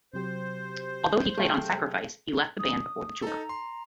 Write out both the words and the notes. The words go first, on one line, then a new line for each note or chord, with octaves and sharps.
Although he played on "Sacrifice", he left the band before the tour.
C3 F#3 G4 C5
A3 C4 G#4 F5 G5
D#6
D#4 A4 A#5
C6